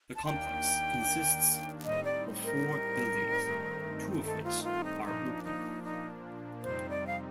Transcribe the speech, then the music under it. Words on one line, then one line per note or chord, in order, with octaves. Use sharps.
The complex consists of four buildings, two of which are open.
A5
D#2 D#3 A#3 D4 G5
A2 G3 C4 D#4 D#5
D5
A#4
G2 D#3 A3 C4 D#4
A4
F4
F4
D#4
A#2 F3 A#3 D4 D#4
D#4
D#4
F2 C3 G3 C4 D#4 C5
D5
F5